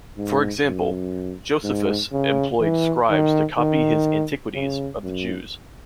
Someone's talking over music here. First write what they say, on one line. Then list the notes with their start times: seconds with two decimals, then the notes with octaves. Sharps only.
For example, Josephus employed scribes to copy his Antiquities of the Jews.
0.18 G#2
0.67 F#2
1.64 G#2
2.12 C#3
2.61 E3
3.10 D#3
3.58 D#3
4.55 C#3
5.04 F#2